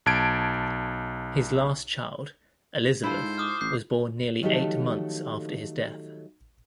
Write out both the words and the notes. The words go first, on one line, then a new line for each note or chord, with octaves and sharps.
His last child, Elizabeth was born nearly eight months after his death.
B1 A5 G#6 D7
G2 E4 F4 A4 C5
G#2
D6 D#6 F6
A1 G6 C7
D#3 F3 F#3 A3 G4 A4